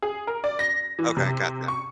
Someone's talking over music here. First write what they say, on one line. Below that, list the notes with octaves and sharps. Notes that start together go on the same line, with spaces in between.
Okay, gotcha.
G#4
A#4
D5
A#6
E3
C3
C#6